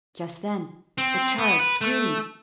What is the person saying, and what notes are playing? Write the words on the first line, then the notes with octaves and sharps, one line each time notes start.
Just then a child screamed.
C4
B3
B4
A3